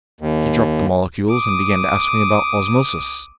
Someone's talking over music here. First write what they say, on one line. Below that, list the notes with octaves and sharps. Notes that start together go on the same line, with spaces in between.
He dropped the molecules, and began to ask me about osmosis.
D#2
D6 D#6